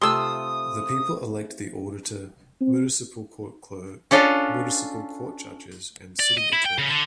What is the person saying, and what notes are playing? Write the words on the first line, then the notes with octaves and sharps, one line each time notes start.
The people elect the auditor, municipal court clerk, municipal court judges and city attorney.
C3 A3 F4 C6 D#6 E6
C4
C#4 D4 F4 A4
D5
D#5
E4
G5
C#3
D3